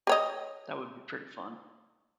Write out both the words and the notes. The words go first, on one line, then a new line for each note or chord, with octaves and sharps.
That would be pretty fun.
G4 C#5 D#5